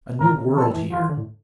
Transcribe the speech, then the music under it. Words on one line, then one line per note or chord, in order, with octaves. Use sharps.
A new world here.
A2 A#4
A#2
C#3
D3
F3 A4
E3
F3 F4
E3
D3
A2